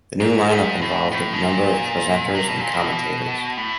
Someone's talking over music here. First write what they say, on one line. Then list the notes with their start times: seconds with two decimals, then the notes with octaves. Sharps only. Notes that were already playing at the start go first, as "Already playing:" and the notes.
The new line-up involved a number of presenters and commentators.
0.20 G#2
0.51 G#2
0.82 A2
1.11 A2
1.33 B2
1.42 A#2
2.35 C3
2.48 B2
2.61 A#2
2.74 B2
3.57 A2